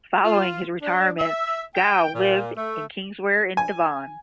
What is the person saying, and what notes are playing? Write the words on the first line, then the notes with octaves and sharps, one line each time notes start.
Following his retirement Gough lived in Kingswear in Devon.
F4
D4
E5
G5
A#2
A3
G#5